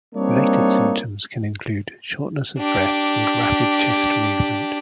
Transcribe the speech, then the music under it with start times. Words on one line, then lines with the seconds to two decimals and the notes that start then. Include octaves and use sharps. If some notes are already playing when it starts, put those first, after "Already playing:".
Related symptoms can include shortness of breath and rapid chest movement.
0.15 G3 A#3 C4 D4 D#4 C#5
2.58 D4 G4